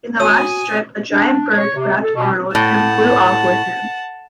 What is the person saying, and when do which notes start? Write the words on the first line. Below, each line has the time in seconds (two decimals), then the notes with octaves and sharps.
In the last strip, a giant bird grabbed Arnold and flew off with him.
0.20 F#4 C#5 G#5 D#6 D#7
1.11 D4
1.56 C#5
1.75 C3
2.02 A4
2.15 B2
2.55 A2 F#5 A5